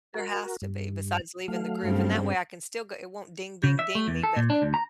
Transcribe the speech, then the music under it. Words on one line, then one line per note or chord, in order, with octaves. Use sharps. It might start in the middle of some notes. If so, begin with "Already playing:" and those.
There has to be, besides leaving the group. And that way I can still g it won't ding ding ding me, but
F#4 A#4
G2
F#3 A3 F5
G2 C#3 C4
C#3
E5
A3
E2
A4
A#2
D4
D2
A#5